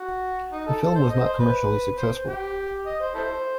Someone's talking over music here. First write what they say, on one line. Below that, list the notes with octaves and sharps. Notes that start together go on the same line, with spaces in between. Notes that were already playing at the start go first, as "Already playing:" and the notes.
The film was not commercially successful.
Already playing: F#4
D#4
A4
A4
C5
D#5
C5
B4
C5
G4
D#5
C5
E4 A4 C5